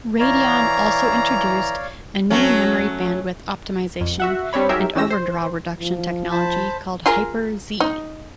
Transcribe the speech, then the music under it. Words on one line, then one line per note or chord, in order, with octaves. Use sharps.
Radeon also introduced a new memory bandwidth optimization and overdraw reduction technology called HyperZ.
E3 C#5 D5 F5 A#5
F#3 A3 C#4
F2
F#4 E5 F#5
G3 C4 D4 C#5 B5
F#3 D#4 G4 G#4 A#4 E5
D#3 E3 C#4 G4 E6 A#6
C5
F3
C5 A5 B5
F4 G#4 A#4
D#4